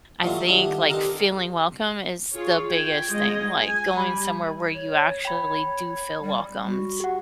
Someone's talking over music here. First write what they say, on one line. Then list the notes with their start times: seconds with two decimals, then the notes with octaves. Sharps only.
I think, like, feeling welcome is the biggest thing, like going somewhere where you actually do feel welcomed.
0.23 G2 A#2 E3 F#3 A3 F4
0.48 D3 D#3 G3 D4 E4
0.90 C4 D4 D#4 G4 A4 A#4
2.31 F4 G#4 C#5
2.70 G5 G#6
3.09 G#3 F4 D#5
3.59 G#5
3.97 G3 B5
4.74 C#5
5.25 G5 B5
6.22 G3
6.70 F#4
7.00 G4 F#5